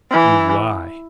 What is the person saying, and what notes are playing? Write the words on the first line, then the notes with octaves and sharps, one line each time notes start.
"You lie!"
E3